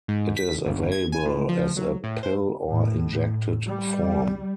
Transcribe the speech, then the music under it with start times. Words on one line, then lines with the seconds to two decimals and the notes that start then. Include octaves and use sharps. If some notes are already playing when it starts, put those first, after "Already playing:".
It is available as a pill or injected form.
0.08 G#2
0.37 B6
0.66 G1
0.92 G#6
1.12 G#5
1.26 A2
1.49 F3
1.77 F#3
2.04 A2
2.23 C5
2.68 A2
3.66 G3